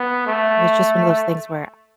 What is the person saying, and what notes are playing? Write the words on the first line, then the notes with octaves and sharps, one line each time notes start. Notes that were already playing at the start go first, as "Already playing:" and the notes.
it was just one of those things where
Already playing: B3
A3